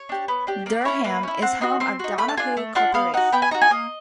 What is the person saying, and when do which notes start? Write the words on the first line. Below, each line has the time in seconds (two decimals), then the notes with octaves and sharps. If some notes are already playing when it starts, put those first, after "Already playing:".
Durham is home of Donahue Corporation.
Already playing: C#5
0.09 D4 G4
0.28 B3
0.47 D4 G4
0.66 A#3 D5
0.85 C#4 E4 C#5
1.04 A#3 B4
1.23 C#4 E4
1.42 C4 F#5
1.61 D#4 F#4 C6
1.80 C4 C6
1.99 D#4 F#4
2.18 A3 B5
2.28 A5
2.37 D4 F4 G#5
2.57 A3
2.75 D4 F4 F#5
2.94 B3 F5
3.14 D#4 F#4 F#5
3.32 B3 G5
3.42 G#5
3.51 D#4 F#4 A#5
3.61 G#5
3.70 A#3 D#5